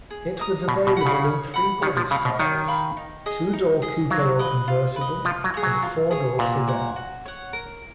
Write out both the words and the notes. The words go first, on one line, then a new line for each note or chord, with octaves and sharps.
It was available in three bodystyles: two-door coupe or convertible and a four-door sedan.
G#4
D#5 A#5 D#6
B2 C#5
B2
F#5 B5
C#3
C#5
F#5 B5
D#3 C#5
F3
C#3 F5 B5
B2
D#3 C#5
F5 B5
D#4
G#4 D#5
D#4
G#4 D#5
F#3 F4
B4 D#5
F4
B4
D#5
F3 F4
F#3
G#4 C#5
F#3
F4
G#4 C#5
A#2 F#4
C#5 F#5
F#4
C#5 F#5
A#4